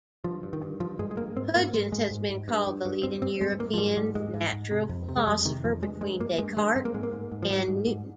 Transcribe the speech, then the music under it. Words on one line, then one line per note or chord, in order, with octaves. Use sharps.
Huygens has been called the leading European natural philosopher between Descartes and Newton.
G2 F3
G2
D#3
G2
G2 F3
G2 G#3
G#3
G2 A#3
G#2 C4
G#2 A#3
G#2 G#3
G#2 G#3
G#2
G#2
G2
G2
G2
G2 C4
G2 C4
G2 G#3
G#2 A#3
F3
G#2 G3
G#2 G3
G#2 G#3
G#2
G#2
C3
F2
C3
G#3
F2 G3
C3 D#3
F2 F3
G2 G#3
G2 G#3
G2 A#3
G2 G#3
G2 G#3
G2 C4
A#3
G#2 G#3
A#3
G#2
G#2
F3
G#2 G3
G#2
G#2